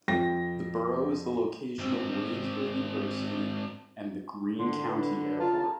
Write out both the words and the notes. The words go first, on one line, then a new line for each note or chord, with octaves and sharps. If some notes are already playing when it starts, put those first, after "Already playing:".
The borough is the location of Waynesburg University and the Greene County Airport.
F2 G5 A#6
G#2 C4
G#1 D3 C6
D4 B4
C#3 F4 C#5 A5 A#5